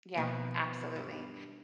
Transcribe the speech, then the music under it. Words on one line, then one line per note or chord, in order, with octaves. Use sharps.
Yeah, absolutely.
D#2 B2 F3
G2